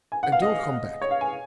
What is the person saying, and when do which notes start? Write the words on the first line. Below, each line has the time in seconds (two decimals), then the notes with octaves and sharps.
And don't come back.
0.12 G#5
0.23 F#5
0.32 F5
0.42 D#5
1.02 C#5
1.11 F5
1.21 G#5